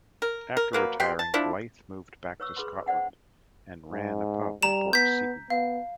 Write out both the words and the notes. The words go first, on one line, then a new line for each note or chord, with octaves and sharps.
After retiring, Blyth moved back to Scotland, and ran a pub in Port Seton.
A#4
A#4
F#3 A#3 B4
B2 G4 G5 C6
A5
F3 D4 E4
B4 C#5 C#6 E6
G#4 B4 B5 C6
C5 D5 F#5 G#5
G#2
G3 A#5 E7
B3 G6 B6
B3 F5